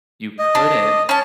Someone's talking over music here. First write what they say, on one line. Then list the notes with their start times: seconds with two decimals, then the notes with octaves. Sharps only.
you couldn't
0.39 D#5
0.55 D4
1.09 C#4 A5